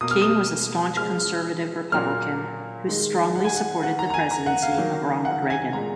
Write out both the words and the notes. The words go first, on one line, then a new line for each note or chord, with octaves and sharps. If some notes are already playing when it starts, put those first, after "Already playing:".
King was a staunch conservative Republican who strongly supported the presidency of Ronald Reagan.
B2 A#3 D#6
F6
D#6
C#3 F3 G#3 F6
A#2 F#3 A#3 F6
D#3 G#3
F#5
G#5
F#5
D#3 A#3 F#5
A#5
A#5
G#5
A#5
F#5
F5
D#3 F#3 A#3
F#5
G#5
A#2 G#3 A#5